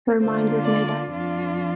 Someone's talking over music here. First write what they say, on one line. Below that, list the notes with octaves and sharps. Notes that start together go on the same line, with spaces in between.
Her mind was made up.
D3 A#3 D4 F4 C5
D5
F2 F3 D4 F4